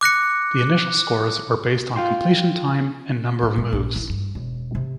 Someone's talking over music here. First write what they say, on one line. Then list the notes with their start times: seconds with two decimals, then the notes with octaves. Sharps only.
The initial scores were based on completion time and number of moves.
0.01 D6 F#6 A#6 C#7
1.96 F4 G5 C6
3.43 A2
3.58 G#3
3.73 A#1
3.96 E4
4.09 G2
4.35 E1
4.75 C3